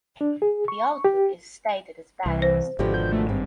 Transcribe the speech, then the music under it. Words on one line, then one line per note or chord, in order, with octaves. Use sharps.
The outlook is stated as balanced.
D4
G#4
C#6
G4
C2 E3
C5
G#1 B2 D3 F3 G4
G6
A3
G2 C4